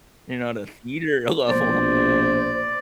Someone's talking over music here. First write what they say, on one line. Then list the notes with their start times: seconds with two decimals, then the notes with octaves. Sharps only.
you're not a theater level.
1.48 A#1 B2 C5 D5